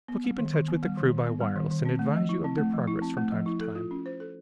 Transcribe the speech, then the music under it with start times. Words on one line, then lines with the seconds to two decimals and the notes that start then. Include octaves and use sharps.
I shall keep in touch with the crew by wireless, and advise you of their progress from time to time.
0.08 B3
0.24 G3
0.39 D#3
0.54 D#3
0.68 B3
0.83 G3
0.97 D#3
1.11 D#3
1.27 B3
1.41 G3
1.56 D#3
1.71 D#3
1.85 C4
1.99 A3
2.15 F3
2.29 E4
2.44 C4
2.58 A3
2.74 F3
2.87 E4
3.02 C4
3.17 A3
3.32 F3
3.46 E4
3.61 A4
3.75 F4
3.91 C#4
4.06 C5
4.20 A4